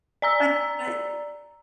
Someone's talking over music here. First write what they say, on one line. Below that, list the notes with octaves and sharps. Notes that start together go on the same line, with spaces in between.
But but
D5 A#5 E6